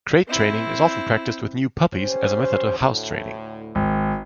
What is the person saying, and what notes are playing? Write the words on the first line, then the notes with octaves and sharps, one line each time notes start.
Crate training is often practiced with new puppies as a method of house-training.
C4 E4
C#4 G4 C5
D2 A2
G#1